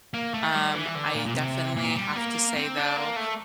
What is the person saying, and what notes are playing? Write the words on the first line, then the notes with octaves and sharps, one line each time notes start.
Um, I definitely have to say, though,
A#3
A3
G3
E3
D3
A#2
A#2
C3
A#2
G3
A#3
C4
D4
A#3
A3